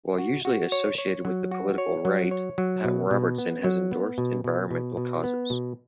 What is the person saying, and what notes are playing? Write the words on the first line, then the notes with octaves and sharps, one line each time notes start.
While usually associated with the political right, Pat Robertson has endorsed environmental causes.
F#4
F#4
C#5
C#5
F#3
F#4
C#5
F#3
C#5
F#3
B2
B2
B3
F#3
B3
B2
B2
B2
B2
B3
B2